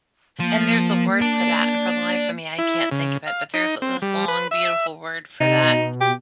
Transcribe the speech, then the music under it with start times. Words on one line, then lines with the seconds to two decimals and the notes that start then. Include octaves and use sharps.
and there's a word for that and for the life of me, I can't think of it, but there's this long, beautiful word for that.
0.40 F3 A#3
1.21 D5 A5
2.58 E4
2.92 C#3
3.27 F5
3.54 D#4
3.82 C4
4.02 G3
4.28 B4
4.51 E5
5.40 C3 D#4
5.63 B2
6.01 G4